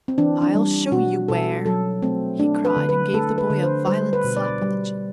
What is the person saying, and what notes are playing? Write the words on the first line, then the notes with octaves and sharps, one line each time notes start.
"I'll show you where!" he cried, and gave the boy a violent slap on the cheek.
C4
E3 D4
D4
G3
B2 F#4
B2 A4
F#3 A4
A3 C4
A3 D4
B4
D3
B4
A3 A4
B4
D3
C5
G3 C5
B4
B2
D5
G3